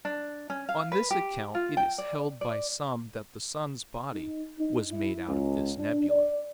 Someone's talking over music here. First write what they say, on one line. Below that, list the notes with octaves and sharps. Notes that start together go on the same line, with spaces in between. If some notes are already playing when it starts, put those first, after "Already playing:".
On this account it is held by some that the sun's body was made out of this nebula.
D4
C#4
F5
B4
G4
F4
G5
D5
D5
D#4
D#4
E4
C#2
D4
D5